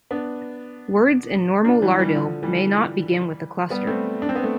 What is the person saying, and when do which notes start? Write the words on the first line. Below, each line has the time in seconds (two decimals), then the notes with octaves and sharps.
Words in normal Lardil may not begin with a cluster.
0.11 B3 D4
1.65 D4 F4
1.82 E3 G3
1.99 E3 G3
2.16 D3 F3
2.43 E3 G3
3.70 G3 B3
3.87 A3 C4
4.22 D4
4.29 C4
4.35 B3
4.43 A3